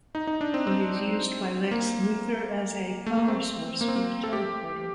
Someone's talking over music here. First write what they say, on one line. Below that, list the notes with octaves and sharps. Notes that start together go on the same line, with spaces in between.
He is used by Lex Luthor as a power source for a teleporter.
D#4
D#4
D4
C4
C4
A#3
A3
A#3
C4
A#3
C4
A#3
A4
G4